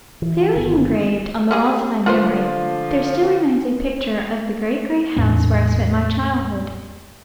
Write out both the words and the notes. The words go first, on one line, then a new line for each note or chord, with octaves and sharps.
Clearly engraved on the walls of my memory there still remains a picture of the great gray house where I spent my childhood.
E3
G1 D#3 B3
G3 G#3 G#4
D3 F3 F4 B4 C5
E2 A2 C4 D4